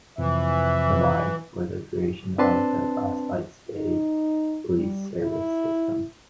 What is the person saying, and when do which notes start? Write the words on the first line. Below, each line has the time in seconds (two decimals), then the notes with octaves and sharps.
Provides for the creation of the classified State Police civil service system.
0.18 F2 C3 E3 E5
2.38 C4 D4 B4 A5 C6
3.74 D#4
4.76 G3
5.22 E4